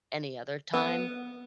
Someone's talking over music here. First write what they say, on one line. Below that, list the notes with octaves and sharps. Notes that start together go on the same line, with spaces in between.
any other time.
B3